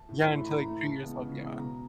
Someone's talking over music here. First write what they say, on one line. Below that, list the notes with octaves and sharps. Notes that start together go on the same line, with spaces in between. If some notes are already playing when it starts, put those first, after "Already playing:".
Yeah, until, like, treat yourself, yeah.
Already playing: A5
A2
E3 A3 C6
B5
A2 A#5
E3 A3
C#3 A5
E3 G#3 B3
C#3
E3 G#3 B3
B2 A#5